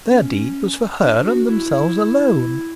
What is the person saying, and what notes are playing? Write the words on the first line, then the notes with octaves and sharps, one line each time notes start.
Their deed was for her and themselves alone.
C#4
D4
F#4
E4